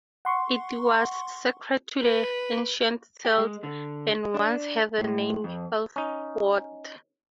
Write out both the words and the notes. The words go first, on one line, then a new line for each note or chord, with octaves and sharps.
It was sacred to the ancient Celts, and once had the name "elfwort".
F#5 C6 C#6
B4
G4
G#3
D3
D4
A2
F2
C#4 D#4